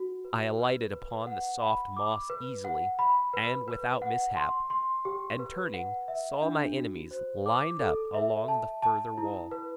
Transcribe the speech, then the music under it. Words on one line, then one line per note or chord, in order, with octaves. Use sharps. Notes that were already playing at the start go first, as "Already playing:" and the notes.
I alighted upon the soft moss easily and without mishap, and turning saw my enemies lined up along the further wall.
Already playing: F#4
B4
B4
B4
F#5
B5
D6
B4
F#5
B5
B4
B4
F#5
C6
C6
G4
B4
F#5
E5
D4
F#4
C5
D6
A4
E5
A5
A5
E4
B4